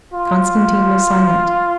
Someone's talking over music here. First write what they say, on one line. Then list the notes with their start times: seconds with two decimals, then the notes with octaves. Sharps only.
Konstantin was silent.
0.14 F4